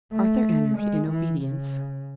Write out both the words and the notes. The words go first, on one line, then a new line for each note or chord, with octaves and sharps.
Arthur entered, in obedience.
A3
G#3
E3
C#3